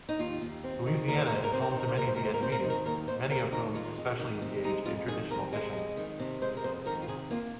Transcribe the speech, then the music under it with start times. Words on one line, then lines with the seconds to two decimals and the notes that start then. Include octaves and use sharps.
Louisiana is home to many Vietnamese, many of whom especially engaged in traditional fishing.
0.09 D#4
0.19 D#2 F4
0.41 D#2
0.64 C4
0.86 D#3
1.08 D#2 A#4
1.17 C5
1.26 A#4
1.30 D#2 C5
1.44 A#4
1.52 C4 C5
1.62 A#4
1.71 D#3 C5
1.80 A#4
1.89 C5
1.97 D#2 A#4
2.07 C5
2.16 D#2 A#4
2.25 C5
2.34 A#4
2.41 C4 C5
2.52 A#4
2.60 D#3 C5
2.70 A#4
2.86 D#2 A#4
3.08 D#2 C5
3.30 C4 A#4
3.52 D#3 A#4
3.75 G#3 F4
3.97 F2
4.19 D#3
4.42 C3
4.64 G#3 D#4
4.86 F2 F4
5.08 D#3 G#4
5.30 C3 A#4
5.53 G#3
5.75 F2
5.97 D#3
6.20 C3
6.42 G#3 C5
6.57 A#4
6.64 F2 C5
6.86 D#3 A#4
7.02 F4
7.08 C3 G#4
7.30 A#3 F4